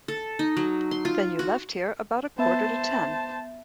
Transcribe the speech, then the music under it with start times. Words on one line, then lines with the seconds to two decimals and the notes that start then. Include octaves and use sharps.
Then you left here about a quarter to ten.
0.08 A4
0.39 D#4
0.57 F#3
0.91 C6
1.05 F4
1.39 F#4
2.39 B3 C5 E5 A5